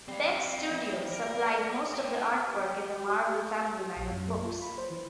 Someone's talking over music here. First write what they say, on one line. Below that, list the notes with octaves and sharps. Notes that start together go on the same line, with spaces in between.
Beck's studio supplied most of the artwork in the Marvel Family line of books.
G3 C4 F5
E3
A#4
G5 A5
G4
G4
A#1
F#2
A#3
F4
B5
C5
E3